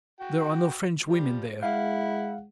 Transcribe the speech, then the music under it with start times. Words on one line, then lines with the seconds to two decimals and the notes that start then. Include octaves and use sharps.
There are no French women there.
0.20 F#4 G5
1.04 F3 G3
1.63 G#3 E4 F5 F#5